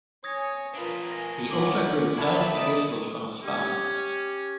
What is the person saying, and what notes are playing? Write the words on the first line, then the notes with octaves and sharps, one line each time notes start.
He also grew flowers and vegetables on his farm.
C#5 G#5 D#6 G#6 A#6
D4 F4 A#4 B4
G#5 A#6
E4 F4 C#5 F#5 D6 F#7
C#3 E4 A#4 A5 B5 G#6
D#4 A4 D5 D#6 E7
C#4 G4